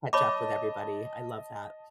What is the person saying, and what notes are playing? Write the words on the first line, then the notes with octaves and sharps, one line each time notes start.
catch up with everybody. I love that.
C#5 D#5 A5 B5 D6